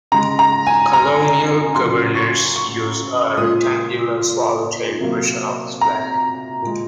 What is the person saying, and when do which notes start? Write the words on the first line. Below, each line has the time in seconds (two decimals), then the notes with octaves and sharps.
Colonial governors used a rectangular swallow-tailed version of this flag.
0.12 C#3 G#3 A#5
0.39 A#5
0.67 G#5
0.93 A#5
1.75 C#3 F#3 A#3 C6
2.15 C#6
2.56 C#6
3.37 A#2 F3 G#3 D#6
5.00 C3 F#3 A#3
5.81 A#5
6.62 A#2 G#3